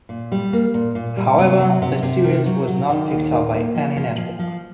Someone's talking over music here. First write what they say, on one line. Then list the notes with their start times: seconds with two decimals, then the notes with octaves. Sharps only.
However, the series was not picked up by any network.
0.09 A#2
0.32 G3
0.53 A#3
0.74 A#2
0.95 A#2
1.17 G3
1.39 C3
1.59 F#3
1.82 C3
2.03 C3
2.24 D#3
2.46 F#3
2.67 F#3
2.89 D#3
3.10 D#2
3.32 A#3
3.54 A#3
3.75 F3
3.96 F3
4.18 F3
4.39 F3